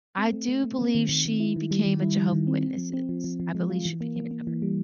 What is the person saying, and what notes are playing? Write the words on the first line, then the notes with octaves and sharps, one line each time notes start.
I do believe she became a Jehovah Witnesses. I believe she became a Jehovah
C4
A3
A3
A3
C4
D#3
D#3
D#3
E4
D#3
G3
D#3
E4
G3
D#3
C4
C4
F3
C4
F3
F3
F3
G#3
F4
E3
A#3
A#3
A#3
E3
G3